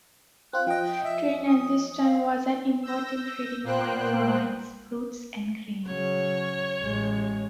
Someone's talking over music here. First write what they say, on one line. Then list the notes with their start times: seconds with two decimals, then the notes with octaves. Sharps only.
Trani at this time was an important trading point for wines, fruits and grain.
0.53 C4 F4 F#6
0.67 F3 D#5 G5
1.04 E5
1.47 D#6
2.03 F5
2.83 E6 G6 A#6
3.64 A#2 A#3 B3 C5 G5 F#6
5.87 C#3 F#3 C#5
6.83 A1 G#3